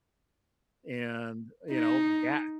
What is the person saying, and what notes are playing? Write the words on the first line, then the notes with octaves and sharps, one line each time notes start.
and, you know, ga
D#4